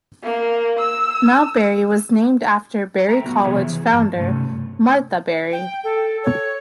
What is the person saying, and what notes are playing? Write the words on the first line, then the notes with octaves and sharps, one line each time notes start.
Mount Berry was named after Berry College founder Martha Berry.
A#3
E6
A4 A#4 E5 G5 A#5
F#3 A3 B3 F#4
C3 F3 B3 G#4 C#5 E5
E3
G2 A5
G2 C3 A3 C#4
G5
A4
C#5